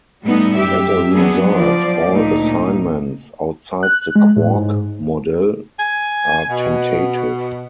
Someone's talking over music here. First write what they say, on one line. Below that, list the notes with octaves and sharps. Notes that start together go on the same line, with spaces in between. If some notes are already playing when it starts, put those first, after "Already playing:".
As a result, all assignments outside the quark model are tentative.
A2 G3 A3 B3 D#4
F#2 G4 E5
F#3 B3 D4 G#4
F3 D5
D2 A#2 D#4
F#6
G#3
A2
G#2
G#5
B2